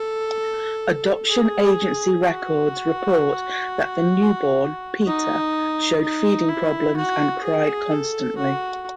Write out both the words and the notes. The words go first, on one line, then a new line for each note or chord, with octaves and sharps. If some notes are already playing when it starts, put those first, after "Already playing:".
Adoption agency records report that the newborn, Peter, showed feeding problems and cried constantly.
Already playing: A4
G#4
F#4
D#4
D#4
E4
F#4
G#4
A4
F#4